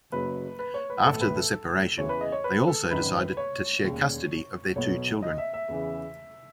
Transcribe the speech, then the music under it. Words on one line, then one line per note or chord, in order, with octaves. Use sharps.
After the separation, they also decided to share custody of their two children.
F#1 F#2 C#3 F#3 B4
B4
C#5
B4
B1 A2 E3 A4
B4
A4
E2 C#3 E3 C#5
B4
D#5
C#5
B4
A4
G#1 F#2 D#3 B4
C#5
E1 D#2 C#3
B1 B2 F#3 C#5
D#5
E5
E5
E2 C#3 E3